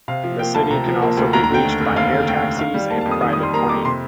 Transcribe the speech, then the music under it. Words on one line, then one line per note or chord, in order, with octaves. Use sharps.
The city can also be reached by air taxis and private plane.
C3 F5
F3
A#3 G5
D2 A5
C3 A#5
F3
A#3
D2
D#2 A#5
A#5
D3 G5
A3
F1
D#2 F5
D3
A3 G5
F1
D#3 F5
G3
A#3 A5
A5
F2
D#6
D#3 D#6
D#6
G3
C6
A#3 A#5
F2 D6
C3 C6